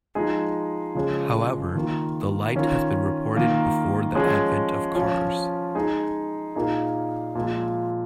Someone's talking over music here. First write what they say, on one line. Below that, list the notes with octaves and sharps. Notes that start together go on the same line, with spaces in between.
However, the light has been reported before the advent of cars.
F3 G#3 D#4 G#4
C#3 F3 G#3 C#4 G#4
D#3 A#3 F4
D#3 C#4 F4
D#3 A#3 F4
F3 G#3 C#4 G#4
F3 C#4 F4
G#3 D#4 G#4
A#2 A#3 D#4 G#4
A#2 F3 G#3